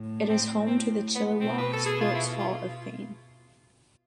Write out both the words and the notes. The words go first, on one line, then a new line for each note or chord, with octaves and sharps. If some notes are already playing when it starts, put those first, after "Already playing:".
It is home to the Chilliwack Sports Hall of Fame.
Already playing: A2
D4
C4
C4
B3
B2 C4
B4
A4
G#4
F4
E4
F4